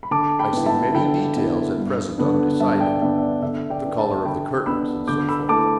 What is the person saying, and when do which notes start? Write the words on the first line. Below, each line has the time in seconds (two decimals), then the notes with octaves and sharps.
I see many details at present undecided--the colour of the curtains, and so forth.
0.03 B5
0.11 D3 A5 D6
0.39 G5 B5
0.53 B3 E4
0.66 E5 A5
0.94 D3 G5 B5
1.36 B3 E4
1.77 G2
2.18 D3 B3 D4
2.60 G2 E5 A5
2.80 D5 G5
3.02 D3 B3 D4 E5
3.18 E5
3.22 D5
3.42 D3 E5
3.70 D5 G5
3.84 B3 D4
3.98 E5 A5
4.25 D3 G5 B5
4.66 B3 D4 B5 E6
5.08 D3 D6 G6
5.29 B5 E6
5.49 A3 E4 A5 D6